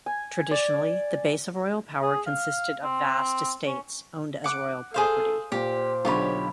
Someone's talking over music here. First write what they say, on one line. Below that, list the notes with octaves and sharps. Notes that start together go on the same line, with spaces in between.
Traditionally, the base of royal power consisted of vast estates owned as royal property.
G#5
D5
G#4
F5
C4
C#4
F#5 D6
G#4 A4 C5 F5
A#2 G4 C5
B1 D3 F4 G4 C#5 B5